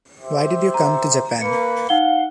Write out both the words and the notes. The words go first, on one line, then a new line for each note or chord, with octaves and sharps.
Why did you come to Japan?
G4 C5 E5
A#5
A#3 B4 C#7
D#4 F5 F#5 G7